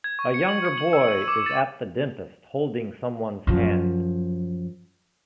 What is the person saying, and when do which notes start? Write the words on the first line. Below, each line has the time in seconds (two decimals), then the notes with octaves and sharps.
A younger boy is at the dentist holding someone 's hand.
0.04 G#6
0.19 C#6
0.34 C#7
0.49 F#7
0.65 C#7
0.78 F#7
0.93 E6
1.08 D#7
1.28 D6
1.46 A6
3.47 F#2 F3